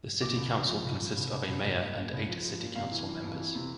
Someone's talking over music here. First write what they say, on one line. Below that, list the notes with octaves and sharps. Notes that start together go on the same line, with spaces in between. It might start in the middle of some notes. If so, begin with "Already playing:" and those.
The city council consists of a mayor and eight city council members.
A#2 D6
C2
C2
F3
C2
F3
C2
C2
C2
C2
A#2
A#2
C2
F3
F3
A#2
C3 F5
E3
E3
F2
E3
C3